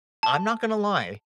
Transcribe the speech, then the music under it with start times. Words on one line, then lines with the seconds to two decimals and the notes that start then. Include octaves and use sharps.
I'm not gonna lie,
0.23 A5